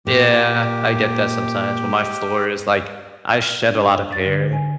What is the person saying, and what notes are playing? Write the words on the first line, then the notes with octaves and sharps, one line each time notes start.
Yeah, I get that sometimes, when my floor is like I shed a lot of hair.
A#2 G4
F6
D4
A6
D3
G#5